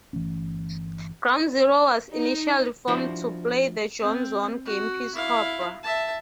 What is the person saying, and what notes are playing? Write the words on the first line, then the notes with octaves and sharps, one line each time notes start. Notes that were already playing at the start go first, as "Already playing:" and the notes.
Ground-Zero was initially formed to play the John Zorn game piece Cobra.
G1 E3 A3 C#4
D#4
F3 D4 E4 F#4 C5
C4
F#4
E4 F5
E5 A5